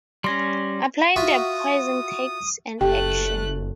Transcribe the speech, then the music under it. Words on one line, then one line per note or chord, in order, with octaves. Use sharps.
Applying the poison takes an action.
G3 C#4 C6 A#6
F4 F#4 E5 D#6
F#1 A3 G4 G5 F#6